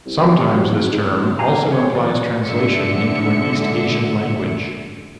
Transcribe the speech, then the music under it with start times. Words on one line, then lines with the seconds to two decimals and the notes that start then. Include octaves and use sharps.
Sometimes this term also implies translation into an East Asian language.
0.06 C2
0.22 B2
0.37 C3
0.52 F#3
0.67 E2
0.79 G#1
0.92 G#2
1.07 A1
1.19 B2
1.39 G4 F5 G#5 A#5
1.71 G4 C5 C#5
1.95 E3 F#3 D#4 B4 D5
2.44 G#2 D3 E5 C#7